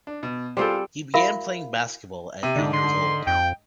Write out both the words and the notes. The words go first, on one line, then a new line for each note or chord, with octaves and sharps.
He began playing basketball at eight years old.
D4
B2
G3 C4 F4 G#4 A4 C5
E4 F#4 A#4 E5 F5 B5
C3
G#2 D3 D4
D3 C6
F2 G5